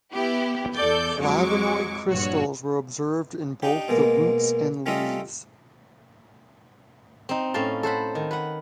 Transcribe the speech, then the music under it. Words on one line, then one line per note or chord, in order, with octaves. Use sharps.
Flavonoid crystals were observed in both the roots and leaves.
B3 E4 G4
E2 A4 D5 G6
F2 F#3 G#3 C#6 D6
A#1 G2 F#4 C#5
D4 D#4 G4
B2 G#3 A#3
G3 A3 C#4 F4 D#5 E5
C4 D#4
A2 C#4 F5 G5 A5
A4 C5 F#5 B5
D#3
B4 F#5